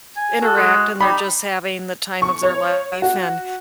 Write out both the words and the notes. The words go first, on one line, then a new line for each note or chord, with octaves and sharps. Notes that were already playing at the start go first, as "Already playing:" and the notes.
interact, and they're just having the time of their life and
G#5
F#4 A4
G#3
G3 D#4 B5
C#6
C#5
F#4